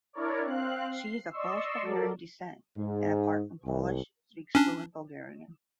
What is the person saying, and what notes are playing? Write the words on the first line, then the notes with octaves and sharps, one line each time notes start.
She is of Polish–Bulgarian descent and apart from Polish speaks fluent Bulgarian.
D4 E4 A#4 C#5 D5
C4 F5 F#6
C7
D5 D#5 C6 C#6 E6
F#3 A4 A#4 D5
G#2
C2
C#4 D4